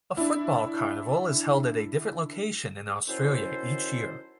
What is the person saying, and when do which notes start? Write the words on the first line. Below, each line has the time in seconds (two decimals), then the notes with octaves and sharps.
A football carnival is held at a different location in Australia each year.
0.17 D4 E4
3.08 D#3 F#3 C#4 E4 A4 C5